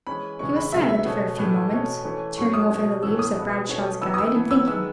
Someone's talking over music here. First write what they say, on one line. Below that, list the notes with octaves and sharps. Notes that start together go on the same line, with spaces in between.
He was silent for a few moments, turning over the leaves of Bradshaw's Guide, and thinking.
E3 G#3 C#4 B5
C#3 E3 G#3 C#4 C#6
B5
C#3 F#3 B3 E5
E5
B2 A3 C#4
A2 E3 A3
B2 A3 C#4
E3 A3 C#4
A2 F#3 A3 C#4 C#6
D#6
B2 F#3 A3 C#4
A2 E3 A3 C#4 E6
D#6
B2 G#3 B3
B2 A3 C#4
E3 B3 E6
D#6
E6
E3 B3
E6
D#3 G#3 B3 E6